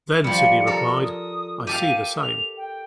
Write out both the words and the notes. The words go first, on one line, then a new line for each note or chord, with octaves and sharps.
Then Sidney replied, 'I see the same.
F3 G3 C#7
A4 A#4
D#6
G4 A4 F5 D#7
F7
G5